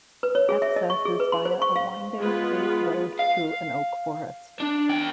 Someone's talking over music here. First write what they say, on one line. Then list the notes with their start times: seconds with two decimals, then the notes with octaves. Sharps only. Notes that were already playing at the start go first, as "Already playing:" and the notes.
Access is via a winding paved road through an oak forest.
0.23 B4
0.35 C#5
0.49 G#4
0.62 E5
0.76 D#5
0.90 C#6
1.05 G#4
1.20 B4
1.32 C6
1.45 C5
1.62 C#6
1.76 F5
2.19 G#3 B3 F4 B4
3.19 F5
4.60 D4
4.89 E2 G5